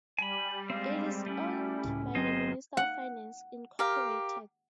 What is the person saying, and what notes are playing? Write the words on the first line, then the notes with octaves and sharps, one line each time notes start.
It is owned by the Minister of Finance Incorporated.
G3 G#5 B5
G#3 C4 F5
A3 C#4 E4
C#2 A2
G1 F#3 C4 G#4 C5 D#5
F#5
G4 A#4 F5